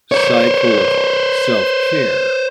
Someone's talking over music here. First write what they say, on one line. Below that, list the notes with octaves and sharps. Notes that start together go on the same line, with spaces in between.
cycle of self-care
C5 C#5